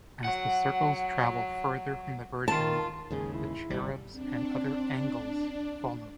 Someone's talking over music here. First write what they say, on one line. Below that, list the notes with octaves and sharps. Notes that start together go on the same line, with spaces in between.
As the circles travel further from the Virgin the Cherubs and other angles follow.
F#3 F#5
D#3 F4 A5
D#2 G#2 C#3 G#4
E4
G1 D#2 G3
C4 D4